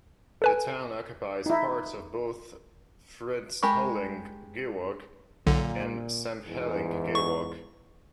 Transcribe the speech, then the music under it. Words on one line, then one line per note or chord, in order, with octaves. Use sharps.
The town occupies parts of both Phuentsholing Gewog and Sampheling Gewog.
A4 B4 G#5
D#4 E4
G#3 G4 A#4 B5 C#6
B1 A#2 D3
E2 G#2 E3
C#6